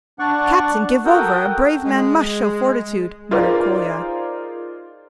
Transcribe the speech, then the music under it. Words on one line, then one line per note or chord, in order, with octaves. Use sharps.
"Captain, give over, a brave man must show fortitude," muttered Kolya.
D4 D5 F#5 C#6
F#4 A4 A#4 F#5 G5 D#6
G#3
D#4 F4 G#4 A#4 C5 D5